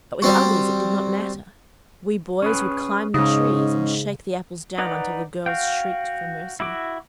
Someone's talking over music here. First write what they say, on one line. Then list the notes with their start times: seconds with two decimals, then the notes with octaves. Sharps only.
But with others it did not matter; we boys would climb the trees and shake the apples down until the girls shrieked for mercy.
0.22 G3 C4 F#4
2.42 C#4 G#4 B4
3.14 G#2 C#3 C#4 D#5
4.78 D#4 B4 D5 F#5 A#5
5.46 F#4 F5 G5
6.60 E4 F#4 D6